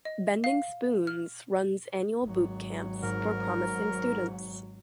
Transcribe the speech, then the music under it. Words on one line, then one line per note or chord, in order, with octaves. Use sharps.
Bending Spoons runs annual bootcamps for promising students.
D#5
F5
F6
G#1 F#3
G#2 A#4